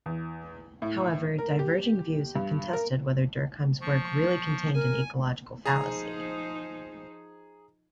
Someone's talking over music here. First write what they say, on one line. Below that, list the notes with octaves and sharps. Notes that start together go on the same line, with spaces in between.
However, diverging views have contested whether Durkheim's work really contained an ecological fallacy.
E2
A2
A#4
G4
G2
A#4
F3 C#6
A#4 G#5
F3 D#4 G#4 C5 A#5